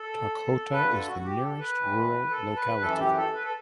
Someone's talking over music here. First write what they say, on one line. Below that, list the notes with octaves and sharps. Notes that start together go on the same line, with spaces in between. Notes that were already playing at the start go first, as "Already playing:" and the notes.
Tokhota is the nearest rural locality.
Already playing: A4
G2 D3 B4
A4
F#4
G4
A4
B4
A2 E3
A4
B4
F#2 E3 A4
G4
A4
B4
A4